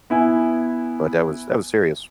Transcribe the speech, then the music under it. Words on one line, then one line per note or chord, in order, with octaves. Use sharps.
But that was that was serious.
B3 E4 G#5